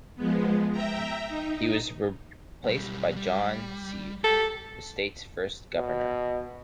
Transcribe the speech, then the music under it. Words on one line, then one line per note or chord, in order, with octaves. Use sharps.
He was replaced by John Sevier, the state's first governor.
F3 G#3 B3
E5 G5 A#5
D#4
B1 G3
G3
G4 A4
B2